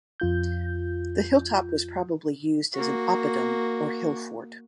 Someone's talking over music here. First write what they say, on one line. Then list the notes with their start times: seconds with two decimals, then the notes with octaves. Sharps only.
The hilltop was probably used as an "oppidum" or hill fort.
0.20 F2 F4 G6
2.73 A#3 F#4